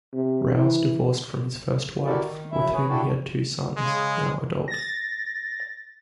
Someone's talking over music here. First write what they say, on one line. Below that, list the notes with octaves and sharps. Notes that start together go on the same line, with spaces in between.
Rowse divorced from his first wife, with whom he had two sons, now adult.
C3
E3
E4 F#4 G4 A4 A#4 D5
D#3
F#2 C#3 E4 E5
G#4 B4 C#5
C#3 D4 E4 F#4 G4 A4
C#3 G#3
A6 A#6